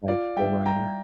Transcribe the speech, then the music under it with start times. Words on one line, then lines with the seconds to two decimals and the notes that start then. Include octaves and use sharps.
like, bull rider.
0.08 F4 D5 F5
0.37 G3 E5 G5
0.66 G3 G5 A#5